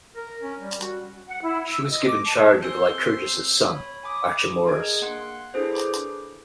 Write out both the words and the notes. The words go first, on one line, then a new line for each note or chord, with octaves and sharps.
She was given charge of Lycurgus's son, Archemorus.
A#4
C#4
G3
F#4
F#5
E4
E6
D#5
D6
A5
C#5
C4 C#4 G#4 C6 E6 G6
C#5 B5
G#5 B5 D6 D#6
D4 G#4 A#4 D#5 G#6 D7
A#3 F#5 C6 F#6
D4 E4 G#4 A4 B4 C5
D6